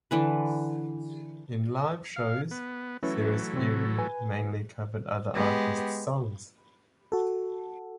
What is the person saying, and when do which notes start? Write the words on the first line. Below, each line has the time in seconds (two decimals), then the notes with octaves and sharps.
In live shows, Cyrus Erie mainly covered other artists' songs.
0.11 D3 E3 B4
2.16 F5
2.51 B3
3.03 E3 F#3 A3 C#4 E4 B4
3.54 C3 C4
3.98 B4 G#5
5.35 G#3 B3 G4
7.12 F#4 A4